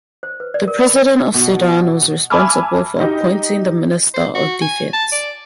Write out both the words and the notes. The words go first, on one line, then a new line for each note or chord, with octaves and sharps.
The President of Sudan was responsible for appointing the Minister of Defence.
C5
B4
D5
A#4
B5
B2
G#5 A5 B5 D6 E6 F6
D#4 G4
C5
F#4
G#5
A5
D5